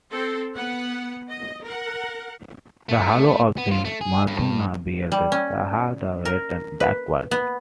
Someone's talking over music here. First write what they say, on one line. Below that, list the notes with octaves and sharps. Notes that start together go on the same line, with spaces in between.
The halo of the Madonna bears the Shahada written backwards.
C4 A4 C5
B3 F#5
D#5
A#4 F#5
A3
B3
F4
A3
G#4
G2
G3
C#4
A#4
B4
B3